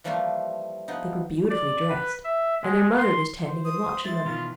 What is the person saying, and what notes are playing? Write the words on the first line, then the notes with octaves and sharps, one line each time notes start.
They were beautifully dressed, and their mother was tending and watching them.
E3 F3 G3 A3 A#3 F4
F3 B3 D#4
D5
B4
E5
G#3
C6
C5
D#6
G#3 E4 A6
B2 D#3 E3 F4